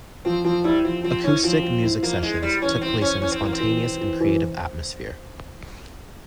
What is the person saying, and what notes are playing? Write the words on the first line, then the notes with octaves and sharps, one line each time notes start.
Acoustic music sessions took place in a spontaneous and creative atmosphere.
F3 C4
F3 C4
G3 E4
F3 C4
F3 C4
C#4 E4
F3 C4
F3
E4
F3 A#3
G#3 E4
G3 E4
E3 C#4
C4 E4
E3 C#4
C#4 E4
C4
E3 A#3
C4
E3
E3
E3
E3